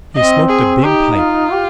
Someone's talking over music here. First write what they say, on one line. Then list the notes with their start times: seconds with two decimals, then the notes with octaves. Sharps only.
He smoked a big pipe.
0.16 C4 D#5
0.49 G#4
0.84 D#4 G4
1.17 F4
1.51 G4